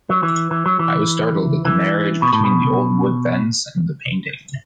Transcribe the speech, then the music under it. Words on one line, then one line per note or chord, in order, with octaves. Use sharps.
I was startled at the marriage between the old wood fence and the painting.
F#3
E3
E3
F#3
E3
E3
B2
A2
B2